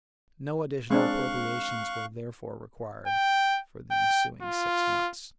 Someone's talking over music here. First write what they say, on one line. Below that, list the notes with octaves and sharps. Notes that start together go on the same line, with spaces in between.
No additional appropriations were therefore required for the ensuing six months.
G#3 C4 D4 F5 C#6 F#6
G5
G5
F4